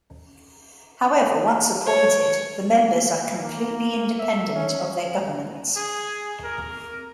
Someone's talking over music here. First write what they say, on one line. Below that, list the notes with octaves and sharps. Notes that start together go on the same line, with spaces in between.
However, once appointed, the members are completely independent of their governments.
C#5
A#3
E5
C#4
G#4
A#4